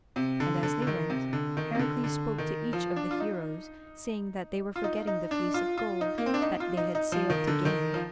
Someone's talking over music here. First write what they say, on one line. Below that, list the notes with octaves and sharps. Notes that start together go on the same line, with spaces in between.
And as they went, Heracles spoke to each of the heroes, saying that they were forgetting the Fleece of Gold that they had sailed to gain.
C3
D3
D3
D3
D#3
C3
D3
D#3
C3
D3
D3
D#3
F3
D4
F4
D#4
F4
D#4
D#4
D4
F4
F4
D#4
A#3
C4
D4
D#4
F4
D#4
D#4
F3
D#3
D3
D#3
F3